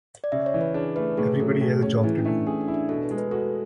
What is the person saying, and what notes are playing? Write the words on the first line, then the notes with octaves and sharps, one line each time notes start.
Everybody has a job to do.
D5
C#3 E5
C#5
E3
B4
D4 G#4
A3 B4
A2 G#4
F#3 A4
A2 G#4
C#4 G#4
E3 E4
C#4
A3 D4
C#4 G#4
D4
E4
D4
B2 A4
B4
G#3
B4
F#4 A4